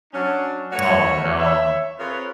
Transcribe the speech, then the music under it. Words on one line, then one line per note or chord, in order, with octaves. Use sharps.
Oh no.
F#3 C#4 D4
A3 F#4 B4 C#5
C#5 E5
C4 F4 G#4 A#4 B4 C#5